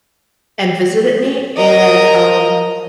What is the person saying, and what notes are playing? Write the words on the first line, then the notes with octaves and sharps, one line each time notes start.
and visited me, and, um,
A#4 D#5